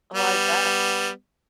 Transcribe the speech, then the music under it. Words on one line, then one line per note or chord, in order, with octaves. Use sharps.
Oh, I bet.
G3 B3